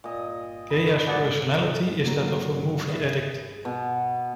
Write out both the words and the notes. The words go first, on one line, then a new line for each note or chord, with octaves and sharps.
Gaea's personality is that of a movie addict.
A#2 D#5
B5
G#2 B2 G#4 D5 F#5
C#3 F#3 G3 A#3
G#4 B4 C#5 D#5 E5
B2